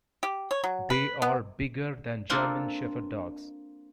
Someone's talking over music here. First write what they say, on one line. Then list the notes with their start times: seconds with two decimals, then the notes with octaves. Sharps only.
They are bigger than German Shepherd Dogs.
0.23 G4
0.51 C#5
0.64 F#3
0.90 B4
1.22 B3
2.30 A#3 C4 D4 F4 A4